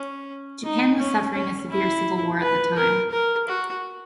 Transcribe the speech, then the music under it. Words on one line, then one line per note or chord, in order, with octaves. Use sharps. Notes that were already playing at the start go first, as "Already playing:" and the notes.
Japan was suffering a severe civil war at the time.
Already playing: C#4
D#4
C#4
C#4
E4
B4
A#4
A#4
F#4